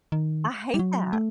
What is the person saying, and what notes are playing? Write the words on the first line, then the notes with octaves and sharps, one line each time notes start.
I hate that.
D#3
G3
F#3
A3